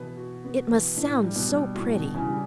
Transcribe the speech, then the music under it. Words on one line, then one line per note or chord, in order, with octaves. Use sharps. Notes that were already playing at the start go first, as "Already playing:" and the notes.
"It must sound so pretty!"
Already playing: B2 E3 B3 B4
F#4
B3
E3
A2 D4
G3
B2
G3
A2 F#4
B2
D4
C#3 E3
G3